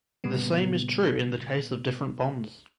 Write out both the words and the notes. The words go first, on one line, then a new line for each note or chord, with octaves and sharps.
The same is true in the case of different bonds.
A#2 C#3 G3 B3